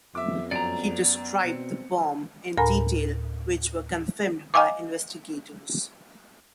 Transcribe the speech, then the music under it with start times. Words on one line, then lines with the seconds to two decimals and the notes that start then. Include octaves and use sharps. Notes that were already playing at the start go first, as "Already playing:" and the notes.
He described the bomb in detail, which were confirmed by investigators.
0.15 F2 B3 E5 D6
0.51 F#2 D5 A#5 D7
1.44 B2 C4 C#7
2.58 D2 A2 A#4 G#5 A#5 B5
4.54 D#5 F5 G#5 C#6 D6